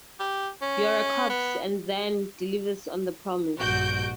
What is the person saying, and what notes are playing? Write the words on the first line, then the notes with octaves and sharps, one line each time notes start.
You're a corpse and then delivers on the promise.
G4
C#4
B3
A#1 G2 F#4 G6 D7